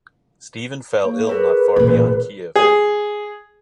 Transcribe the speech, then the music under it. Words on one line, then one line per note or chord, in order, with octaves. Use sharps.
Stephen fell ill not far beyond Kiev.
A#3 C#5
G#4 A#4 B4 C#5
A1 A#2
G#4